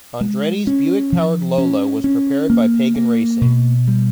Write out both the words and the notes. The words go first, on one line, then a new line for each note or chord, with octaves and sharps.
Andretti's Buick-powered Lola was prepared by Pagan Racing.
G#3
C#4
F3
C#4
C#4
A#3
A#3
B2
G3